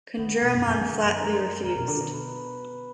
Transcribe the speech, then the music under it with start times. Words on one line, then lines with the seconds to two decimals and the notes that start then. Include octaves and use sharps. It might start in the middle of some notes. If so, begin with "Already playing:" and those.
Kunjuraman flatly refused.
0.18 D3 B3
0.29 D3
0.42 B2
0.54 F#2
0.66 F#2 G#4
0.78 F3
0.90 D3
1.03 F#2
1.16 A#4
1.64 F2 A#4
1.76 B2
1.88 D3
2.00 B2
2.13 B4